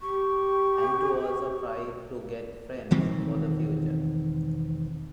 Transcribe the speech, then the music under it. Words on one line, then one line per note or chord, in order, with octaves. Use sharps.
And to also try to get friends for the future.
G4 C#6
E1 D#3 C4